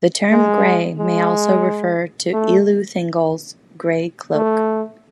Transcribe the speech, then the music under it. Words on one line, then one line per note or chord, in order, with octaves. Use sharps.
The term "grey" may also refer to Elu Thingol's grey cloak.
G#3
G#3
A3
A3